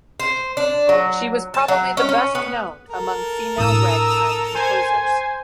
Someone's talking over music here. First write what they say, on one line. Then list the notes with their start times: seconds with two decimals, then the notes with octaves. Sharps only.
She was probably the best known among female ragtime composers.
0.20 C5
0.57 D4
0.89 F#3
1.54 A5
1.68 F#3
1.97 C#4
2.09 C#4
2.35 B3
2.89 A4 A#4
3.58 A2 D4 D#6 E6 E7
4.54 C5 G#5